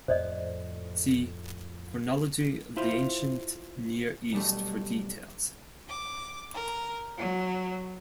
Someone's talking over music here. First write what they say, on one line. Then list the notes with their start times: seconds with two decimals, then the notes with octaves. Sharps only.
See Chronology of the Ancient Near East for details.
0.08 F2 A2 C5 D5 D#5
2.77 E4 F4 C5
4.33 B1 G3 A3
5.89 D6
6.53 A#4
7.19 F#3